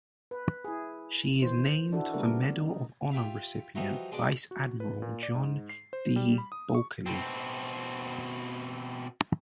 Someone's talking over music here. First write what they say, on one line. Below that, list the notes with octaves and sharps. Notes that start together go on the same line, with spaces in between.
She is named for Medal of Honor recipient Vice Admiral John D. Bulkeley.
B4
E4 G#4
D#3 E3 C5
D4 E4 F#4 A4
C#3 G3 A3 B3 D4 A#4
D#4
F4 G4 E5 F5
E3 F3 G3 D#4 E4 F#4
B2 G#3 D4 D5 D6
F#4
B4
A#2
D5
G#2
C7
C5
G3
B5
D#6
C#6
B2 C4